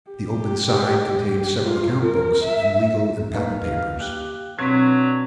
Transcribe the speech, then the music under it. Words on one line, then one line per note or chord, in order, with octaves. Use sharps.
The open side contained several account books and legal and patent papers.
G4
F4
A#4
E5
A#3 D#4 B4 F5
G4 F#6
B2 F#3 C4 D4 G#6 B6